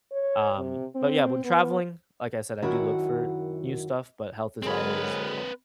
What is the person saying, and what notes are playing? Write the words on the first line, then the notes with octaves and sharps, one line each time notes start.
Um, but yeah, when traveling, like I said, I do look for new stuff, but health is always
C#5
C3
C4
B3
F#2 D#3 E4 F#4 F#5
D3 F#3 G#3 C4 G#4 A#4 B4